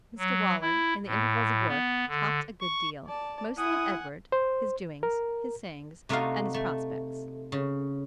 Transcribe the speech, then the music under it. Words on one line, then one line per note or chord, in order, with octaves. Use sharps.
Mr Waller, in the intervals of work, talked a good deal, mostly of Edward, his doings, his sayings, and his prospects.
F#3
E4
A2
B3
D3
C#6
D5 A5
E4 F#5 G#5 D#6
C5
A#4
C3 A3 D#4 F4 F#4 F5
A3
C#3